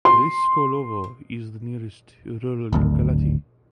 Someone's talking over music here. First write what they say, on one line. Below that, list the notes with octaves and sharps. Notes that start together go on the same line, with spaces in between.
Ryskulovo is the nearest rural locality.
C6
D1 G#1 D2